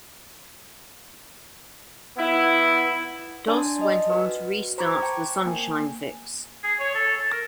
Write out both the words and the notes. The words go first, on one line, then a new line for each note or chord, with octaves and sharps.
Doss went on to restart The Sunshine Fix.
B3 E4
D4 D5 G#5 A5 C6
D#5
F#4 B4
C5 A#5 B5 C#6 D6 G#6
G5 A5
A#3 G#5
G#4
C#5
A4
A4
A#4